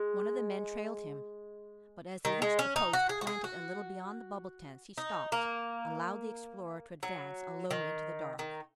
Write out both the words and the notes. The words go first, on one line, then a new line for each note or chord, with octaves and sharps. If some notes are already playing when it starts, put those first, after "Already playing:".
One of the men trailed him, but as they reached a post planted a little beyond the bubble tents he stopped, allowed the explorer to advance alone into the dark.
Already playing: G#3
D#3
G#3
C#4
D#4
F#4
G#4
F#4
G#4
F#4
D#4
A#3
F#3
D#3
D#3